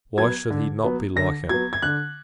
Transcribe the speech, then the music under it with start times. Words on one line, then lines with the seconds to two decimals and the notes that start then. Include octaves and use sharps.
Why should he not be like him?
0.17 F#3 B3 G#6
0.50 D3
0.84 F#3 B3
1.16 D3 A#6
1.49 F#3 B3 G#6
1.73 G#6
1.82 D3 F#6